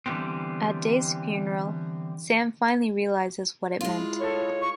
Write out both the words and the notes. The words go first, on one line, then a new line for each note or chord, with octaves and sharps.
At Dave's funeral, Sam finally realizes what it meant.
D3 E3 F3 G3 B3 C4
G#3 E4 F4
A4 C#5
C#6